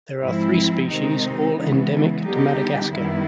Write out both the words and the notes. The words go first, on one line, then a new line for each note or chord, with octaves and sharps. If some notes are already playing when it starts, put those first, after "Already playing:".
There are three species, all endemic to Madagascar.
G#2 F3 G#3 C4 E4
C3 D#3 G#3 C4 D#4
C#3 E3 G#3 B3
D3 G3 B3 D#4 G4
F#2 D#3 G3 B3 E4